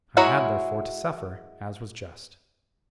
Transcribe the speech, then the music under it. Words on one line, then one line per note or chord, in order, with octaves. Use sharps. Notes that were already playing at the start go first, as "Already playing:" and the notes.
I had, therefore, to suffer, as was just.
G#3 E4 F#4 C#5 A#5